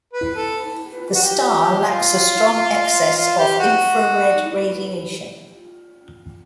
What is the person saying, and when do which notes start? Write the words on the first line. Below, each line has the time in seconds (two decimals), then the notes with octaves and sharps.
The star lacks a strong excess of infrared radiation.
0.13 B4
0.35 A4
1.14 F#4
1.22 G4
1.87 F4
3.16 F4
3.37 G4
3.59 F#4